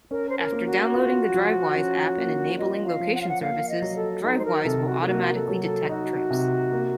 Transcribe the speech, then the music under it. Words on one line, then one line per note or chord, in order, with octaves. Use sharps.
After downloading the Drivewise app and enabling location services, Drivewise will automatically detect trips.
C#4 A#4
C5
A#4
A#3
F#4
F4
F3
C#4
A#3
F4 D#5
F5
F3
F#5
F5
F#5
A#3 F5
D#5
F#3
A4
D#4 A4
C5
A#4
C3 A4
F#4
A4
A#3 F#4
A4
F#3
A4
D#4 F#4
C3
A#3